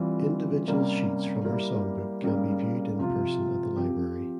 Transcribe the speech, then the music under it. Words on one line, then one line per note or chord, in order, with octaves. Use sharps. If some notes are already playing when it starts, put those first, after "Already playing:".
Individual sheets from her songbook can be viewed in person at the library.
Already playing: E3 G3 C4 F4
C3 G3 A#3 C#4
G3 A#3 E4 G4
C#3 G3 A#3
C3 F3 C4 F4
F3 C4 G4